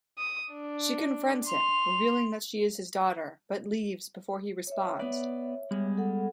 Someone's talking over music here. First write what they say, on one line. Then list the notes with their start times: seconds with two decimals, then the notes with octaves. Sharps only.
She confronts him, revealing that she is his daughter but leaves before he responds.
0.18 D#6
0.53 D4
1.46 C6 F7
4.67 C#5 E5
4.99 B3 B4 D5
5.71 G3 G#3 B3
5.98 A4 F#5